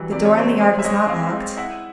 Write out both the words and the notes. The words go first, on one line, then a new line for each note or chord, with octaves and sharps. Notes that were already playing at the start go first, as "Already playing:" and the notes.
The door in the yard was not locked.
Already playing: E3 F#3 G3
C3 D5
C#5
C3 C5 D5
G#3 C5 D5
E5
G#3 C#5 D#5
C4 D#5 F5
G#3
E4 E5 F#5